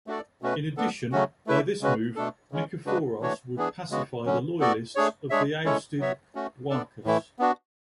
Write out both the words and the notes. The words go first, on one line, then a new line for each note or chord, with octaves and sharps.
In addition, by this move Nikephoros would pacify the loyalists of the ousted Doukas.
A3 D4 F#4 A4 D5
B2 A3 C#4 F#4 B4
B3 D4 A4
C#3 F#3 A3 C#4 F#4
A3 E4 B4 E5
C#3 G#3 C#4 F#4 B4
B2 A3 D4 A4
C#3 G#3 C#4
C#3 G#3 D4 F#4 B4
E3 A3 D4 F#4 C#5
E3 B3 D4 G#4
C#3 G#3 B3 F#4
D3 F#3 C#4
B3 F#4 A4 D5
A3 D4 G#4 C#5
G#3 D4 G#4 C#5 E5
G#3 C#4 E4 A4 C#5
F#3 B3 F#4 C#5 E5
A3 C#4 F#4
B3 D4 A4 D5
A2 E3 A3 E4
B3 D4 F#4